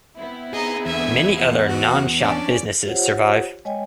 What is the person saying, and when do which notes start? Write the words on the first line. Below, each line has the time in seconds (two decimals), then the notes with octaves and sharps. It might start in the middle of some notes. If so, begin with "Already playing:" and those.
Many other non-shop businesses survive.
0.17 B3 C4 E4
0.53 D#4 G#4 D#5
0.86 E2 D3 E5 G#5
1.36 F3 F#5
1.68 F#4
2.20 C#4 D4 D5
2.85 F4 G4 C5 C#5 F#5
3.65 G#3 C#5 D#5 G5 G#5